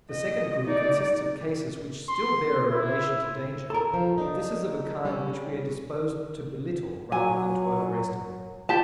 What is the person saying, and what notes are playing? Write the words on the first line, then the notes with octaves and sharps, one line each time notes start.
The second group consists of cases which still bear a relation to danger, but this is of a kind which we are disposed to belittle rather than to overestimate.
D#5
D#4 D5
C6
E4
A4 A#4
F3
D4 D#4
G3 C#4
F#3 G#5
F4 G4 A5